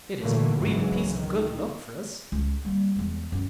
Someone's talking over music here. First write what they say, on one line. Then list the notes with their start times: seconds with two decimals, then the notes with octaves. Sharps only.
It is a real piece of good luck for us.
0.21 A#2 D3 E3 F#3 A3 A#3
0.57 G#1 C#2 G#2 E3 F#3 G#3
1.18 D#3
2.32 C#2 F3
2.65 G3 A#3
2.96 E2 G#3
3.32 F#2 F3